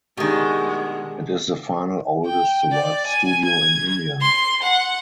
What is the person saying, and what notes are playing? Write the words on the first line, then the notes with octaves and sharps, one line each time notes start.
It is the final oldest survived studio in India.
B2 D#3 G#3 D4 G4
G5
D5
G#5
G#6
C6
F#5